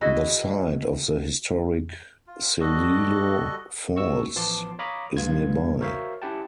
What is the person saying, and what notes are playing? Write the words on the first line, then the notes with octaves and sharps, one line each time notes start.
The site of the historic Celilo Falls is nearby.
E4 F#4 G#4 D#5
F4
G3 F#4 A4 D#5
F#4 C#6 E6
A1 F3 B3 A5 C6 D6
C#5 F5 A#5 B5 D6 D#6
B1 G2 B3 F4 G#6
F#4 A#4 C5 C#5 E5 F5
C#4 E4 G4 F#5 G5 A5